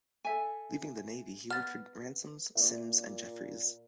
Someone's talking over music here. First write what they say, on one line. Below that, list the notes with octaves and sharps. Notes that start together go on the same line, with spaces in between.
Leaving the navy he worked for Ransomes, Sims and Jeffries.
A4 E5 G#5
B3 F6 A6
A#2 A#3 D5 E5